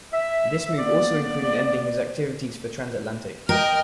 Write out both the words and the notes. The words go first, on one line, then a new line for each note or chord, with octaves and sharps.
This move also included ending his activities for Transatlantic.
E5
A#3 B3 D5
A#4 D#5 G5 F6